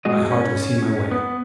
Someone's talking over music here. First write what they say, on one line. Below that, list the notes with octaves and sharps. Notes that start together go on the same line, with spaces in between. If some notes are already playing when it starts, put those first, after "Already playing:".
I hardly see my way.
B2 G#3 F#4 D#5
C#4
B3